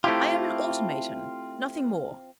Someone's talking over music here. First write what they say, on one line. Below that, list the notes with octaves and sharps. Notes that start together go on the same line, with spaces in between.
'I am an automaton--nothing more.
A3 C4 E4 F4 G4